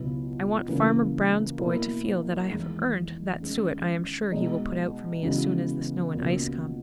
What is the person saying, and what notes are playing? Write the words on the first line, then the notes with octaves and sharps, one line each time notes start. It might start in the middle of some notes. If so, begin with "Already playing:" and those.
I want Farmer Brown's boy to feel that I have earned that suet I am sure he will put out for me as soon as the snow and ice come.
Already playing: C#2 B2 F#3 B3 E4
C#3 E3 A#3
B2 A#3 E4
E2 D#3 G#3
D#3 G#3 C#4
B2 G#3 D#4
C#3 E3 G#3 B3 F#4
C#2 B2 A#3 C#4 F#4